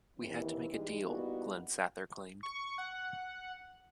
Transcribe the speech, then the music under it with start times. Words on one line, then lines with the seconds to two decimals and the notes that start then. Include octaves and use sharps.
"We had to make a deal," Glen Sather claimed.
0.19 D#2 E3 C4
0.70 E3 G3 G#3 D#4 E4 G#4
1.03 G3 A#3 B3 D#4 E4 F#4
2.43 C#6
2.78 F#5